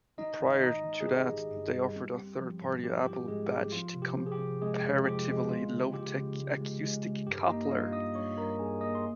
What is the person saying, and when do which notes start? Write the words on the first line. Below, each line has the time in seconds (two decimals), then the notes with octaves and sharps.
Prior to that they offered a third party Apple-badged comparatively low-tech acoustic coupler.
0.18 G#1 D#4 D#5
0.41 G#1
0.62 G#1 D#4 D#5
0.84 G#1
1.01 G#4
1.06 G#1 G4
1.29 G#1
1.50 G2
1.74 G3
1.96 C4
2.17 C4
2.40 F3
2.61 G#2
2.84 C4 G4
3.05 F4 G4
3.28 G#2 G#3 G#4
3.51 G#2 G4
3.72 F3 F4
3.94 C3
4.02 G4
4.17 F3
4.26 G#4
4.32 G4
4.38 C3
4.61 C3 G#3 G#4
4.83 F2
5.05 F3 G4
5.28 G#3
5.49 C#2 F4
5.72 C#2
5.94 C#2 G4
6.15 C#3
6.39 C#2
6.61 G#3
6.83 G#3
7.04 C#2
7.27 G2 G4
7.48 A#3 D#4 D#5
7.65 D#5
7.71 G2 F4 F5
7.92 G2 D#5 D#6
8.15 G2 C#5 C#6
8.37 G2 A#4 A#5
8.59 G2 G#4 G#5
8.81 A#3 D#5 D#6
8.95 C6